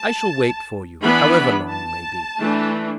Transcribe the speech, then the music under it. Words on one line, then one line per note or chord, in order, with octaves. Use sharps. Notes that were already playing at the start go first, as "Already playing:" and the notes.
I shall wait for you, however long you may be.
Already playing: A5
E3 B3 D4 B5
A5
E3 A3 D4